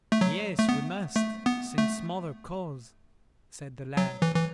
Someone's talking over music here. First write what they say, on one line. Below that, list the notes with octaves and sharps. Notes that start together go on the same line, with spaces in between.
'Yes, we must, since mother calls', said the lad.
A3
F#3
A3
B3
A3
B3
A3
F#3
E3
E3